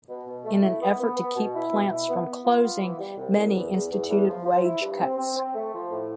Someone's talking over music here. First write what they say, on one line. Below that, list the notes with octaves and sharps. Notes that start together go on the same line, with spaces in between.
In an effort to keep plants from closing, many instituted wage cuts.
B2
B2
A3
E4
B3
B3
B3
B2
E4
B2
E4
B3
B3
F4
B3
E3
G3
C2
C2
E2
E2
E2
E2
F3
F3
E4
G2
C4
C4
C4
A3
F3
A2